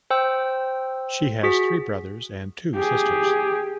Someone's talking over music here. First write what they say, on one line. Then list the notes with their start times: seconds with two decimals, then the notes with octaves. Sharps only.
She has three brothers and two sisters.
0.10 C5 G5 E6
1.43 F#4 G#4 B6
2.75 G4 G#4